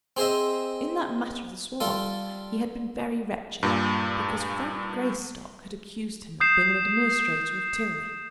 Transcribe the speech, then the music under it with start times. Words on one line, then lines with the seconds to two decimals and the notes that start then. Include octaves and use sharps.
In that matter of the Sawab he had been very wretched, because Frank Greystock had accused him of being an administrator of tyranny.
0.17 C4 G#4 C5 D#5 E5
1.80 G3 F4 A4
3.63 G2 A#2
6.40 D#6 G6 C7 E7